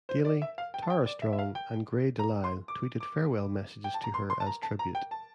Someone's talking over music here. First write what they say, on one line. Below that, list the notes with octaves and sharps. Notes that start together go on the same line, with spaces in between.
Daily, Tara Strong, and Grey DeLisle, tweeted farewell messages to her as tribute.
C5
D5
E5
F5
G5
A5
G5
D5
E5
E5
F5
G5
A#5
C6
D6
D6
G5
A5
A#5
C6
C6
A5
A#5
A5
A#5
G5
A5